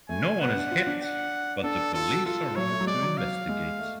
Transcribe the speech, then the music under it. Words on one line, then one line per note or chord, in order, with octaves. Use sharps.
No one is hit, but the police arrive to investigate.
A3 G#5
B3 F#5
D4
F4
D4
F#5
D4 A4
F4 A4
F#4
F4 A4
F#3 C#5
A3
F#3
G#3 D5
F#3
F5
G#3
A3